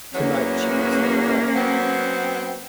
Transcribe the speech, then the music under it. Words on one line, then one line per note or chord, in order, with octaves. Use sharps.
Tonight she must not fail.
E2 F#3 A#3 C#4
F#3 B3 C4